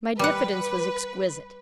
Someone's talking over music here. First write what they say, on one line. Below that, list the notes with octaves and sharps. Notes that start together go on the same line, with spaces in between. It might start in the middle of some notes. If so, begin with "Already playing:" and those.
My diffidence was exquisite.
G3 B4 F#5